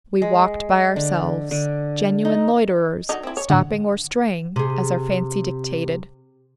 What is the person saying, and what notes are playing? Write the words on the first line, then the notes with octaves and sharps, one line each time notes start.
We walked by ourselves, genuine loiterers stopping or straying as our fancies dictated.
G#3
D3
D3
D#4
D3 F#3 D#4
C4 E4
C#5
A2 D3 F#5
C3 G#4